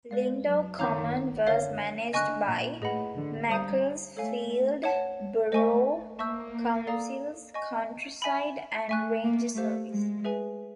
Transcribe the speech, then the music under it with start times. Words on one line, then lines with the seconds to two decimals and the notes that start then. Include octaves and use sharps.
Lindow Common was managed by Macclesfield Borough Council's Countryside and Ranger Service.
0.11 G#3 B4 D5 F5
0.45 F#3
0.79 D#3 C#5 F5 A#5 D6 G6
1.46 D3 A#4 C#5 F5
2.13 D3 D#5 G#5 C#6 F#6
2.48 A#2
2.81 A2 G#4 B4 D#5 F#5 B5
3.15 D3
3.49 G3 C5 F5 A#5 D#6 G6
4.16 A3 A4 C#5 F5 G#5
4.84 C#5 F#5 A5
5.52 A3 C5 D#5 G#5 C#6
6.19 A#3 E5 A5 C#6 E6 G6
6.87 A4 D5 F5 A#5 D#6
7.54 D#5 G#5 C#6
8.22 E5 G#5 B5
8.89 A3 E5 G#5 C#6 F#6
9.23 A#3
9.56 A3 G4 C5 F5
9.91 G#3
10.24 G#4 B4 E5 G#5